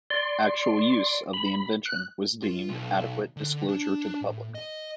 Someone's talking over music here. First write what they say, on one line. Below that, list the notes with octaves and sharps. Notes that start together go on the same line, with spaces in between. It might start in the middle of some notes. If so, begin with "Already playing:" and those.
Actual use of the invention was deemed adequate disclosure to the public.
D5 C6
B5
F#6
F4
B1
D3
D4
A2
D#5